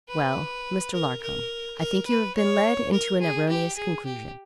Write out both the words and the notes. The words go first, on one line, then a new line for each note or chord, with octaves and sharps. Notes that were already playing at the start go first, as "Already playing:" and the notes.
'Well, Mr. Larcom, I think you have been led into an erroneous conclusion.
B4
A#4
A#4
A#4
B4
C#5
A#4
G#4
G4
G#4
G4